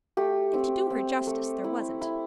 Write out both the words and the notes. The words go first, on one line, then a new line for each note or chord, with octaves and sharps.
And, to do her justice, there wasn't.
A3 G4
C4
C4
A3
E4
E4